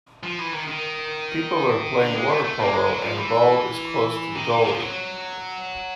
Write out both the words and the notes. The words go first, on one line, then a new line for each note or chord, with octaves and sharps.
People are playing water polo and the ball is close to the goalie.
F3
E3
D#3
D#3
D3
G#3
A3
A3
A#3
G#3
F#3
F3
E3
D#3
E3
F3
F#3